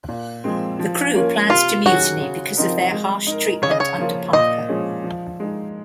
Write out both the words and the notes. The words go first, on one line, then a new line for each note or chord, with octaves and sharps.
The crew plans to mutiny because of their harsh treatment under Parker.
A#2
F3 G#3 C4
F3
A#3 C#4 F4 A#4
C3 F4
D#3 F#3 C#4 F#4 G#4
C#3
F3 C4 D#4 A#4
G#3
D#4 A#4
C#3 C#5
D#5
C#5
F3 A#3 F4
A#2 D#5
F3 G#3 C#4 G#4
F3
G#3 D#4